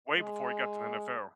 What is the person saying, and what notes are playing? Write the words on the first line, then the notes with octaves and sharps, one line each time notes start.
way before he got to the NFL.
G#3